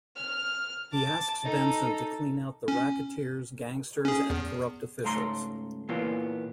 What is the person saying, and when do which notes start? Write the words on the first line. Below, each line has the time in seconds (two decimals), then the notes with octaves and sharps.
He asks Benson to clean out the racketeers, gangsters, and corrupt officials.
0.16 F6
0.92 A5 D6
1.43 D#4 A4
2.68 C#4
4.05 C#4 G#4
4.30 E2
5.04 C#2 G#2 A3 A#5 C6
5.89 A#2 E3 A#3 B3 F4